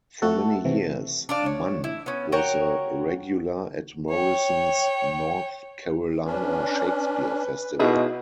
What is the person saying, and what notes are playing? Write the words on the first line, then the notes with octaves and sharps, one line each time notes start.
For many years Mann was a regular at Morrison's North Carolina Shakespeare Festival.
A3 F#4 A4
C3 E3
D4 F4 D5
C#5
E4
B3 C#4
F#4 A#4 C#5 G5
C#5 G5
C#4 D4 B4
B2 D#4 E4 G#4